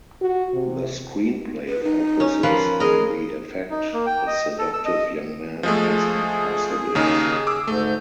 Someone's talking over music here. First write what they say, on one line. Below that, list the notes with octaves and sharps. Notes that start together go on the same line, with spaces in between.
The screenplay focuses on the effect a seductive young man has on four siblings.
F#4
C3
B4
D#4
C#4
F3 A#3 B4
G#4 A#4 D#5
D#4
A#3
G5
D#5
A4
E6
D#5
F3 G#3 A3 G#4
D#2 C#3 D#4
D6 E6
D2 G#2 A3 G6